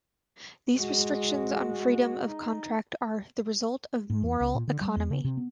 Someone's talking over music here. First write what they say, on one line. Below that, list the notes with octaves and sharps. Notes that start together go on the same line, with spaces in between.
These restrictions on freedom of contract are the results of moral economy.
G#3 F#4
D#4
G#2
E2
C#2
A#2
D3
G3
E2
C#3
C3
B3